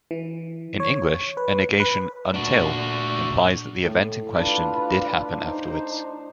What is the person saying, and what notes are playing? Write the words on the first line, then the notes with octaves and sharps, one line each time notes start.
In English a negation "until" implies that the event in question did happen afterwards.
E3
C#5
B4
B4
A#2 D4 F#4
A2
D4 F4 B4
D#4 C5